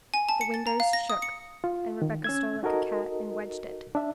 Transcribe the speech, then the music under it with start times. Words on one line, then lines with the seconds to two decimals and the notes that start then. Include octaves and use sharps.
The window shook, and Rebecca stole like a cat and wedged it.
0.14 G#5
0.29 A5
0.41 C#7
0.54 A6
0.67 A#5
0.80 F5
0.93 A#6
1.10 D#6
1.22 C#7
1.64 F4
2.02 D#3
2.24 C#4 E6 G#6
2.63 D#4 F#4 A4 A#4 D#5
3.95 D4 E5